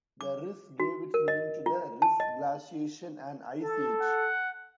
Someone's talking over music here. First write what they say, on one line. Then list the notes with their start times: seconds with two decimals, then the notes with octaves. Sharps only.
The Riss gave its name to the Riss glaciation, an ice age.
0.21 D6
0.80 F#4
1.14 A#4
1.28 D#5
1.66 F4
2.02 A5
2.20 D#5
3.63 A4 A5
4.01 F#5